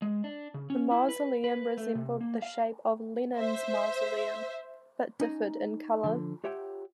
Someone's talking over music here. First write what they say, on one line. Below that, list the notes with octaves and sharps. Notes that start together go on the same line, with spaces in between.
The mausoleum resembled the shape of Lenin's Mausoleum but differed in color.
G#3
D4
C#3
C#4
E4
B4
B4
A3
C3
A#3
F5
C5 E5
C#4 D#4 G#5 A#5
D3 F3
F4 G4 C#5 E5 F#5 G5